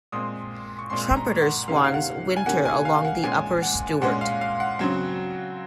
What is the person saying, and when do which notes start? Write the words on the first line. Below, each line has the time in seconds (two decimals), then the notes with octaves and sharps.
Trumpeter swans winter along the upper Stuart.
0.12 A#2 G#3 C4 D#6
0.79 C#6
0.90 A#2 G#3 C4 C6
1.16 A#5
1.42 F#5
1.68 C3 D#3 A#3 C#4 F5
1.76 F#5
1.84 F5
1.94 F#5
2.36 G#5
2.46 C3 D#3 A#3 C#4 F#5
2.65 G#5
2.85 F5
3.05 F#5
3.24 A#2 G#3 C#4 G#5
3.62 F#5
4.01 A#2 G#3 C#4 F#5
4.21 F5
4.41 F5
4.60 F#5
4.79 C#3 F#3 C4